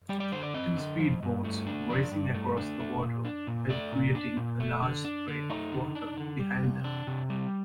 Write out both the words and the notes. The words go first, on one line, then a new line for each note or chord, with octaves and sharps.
Two speed boats racing across the water while creating a large spray of water behind them.
G3 D5
D5
D3 C5
D5
C4 D#5
D3
F3
G2
A3
D4
F3 D5
G2
A3
D4
A3
A#2
D4
A#2
A3 D5
A#2
D4
A#2
A3
D3
D4
D3
A3 D#4
D3
D4
D3
G3
C3
D4
C3
G3